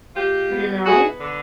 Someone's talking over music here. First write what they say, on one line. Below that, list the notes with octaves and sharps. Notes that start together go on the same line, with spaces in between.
You know?
G#3 F4 G4
B3
B3 F#4 G#4
D3